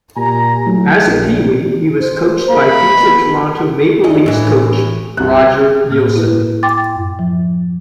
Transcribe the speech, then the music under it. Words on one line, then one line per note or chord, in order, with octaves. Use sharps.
As a PeeWee he was coached by future Toronto Maple Leafs coach Roger Neilson.
A#2 G4 G#5 A#5
F#3 A3 E4
A#1
C5
A#3 B5
B2
D2 G#4 D#5
A2 E3
C2 C3 F#6
A2 A#3 F6
E4 B4
G5 G#5 C6 D6 A6
F#2
F3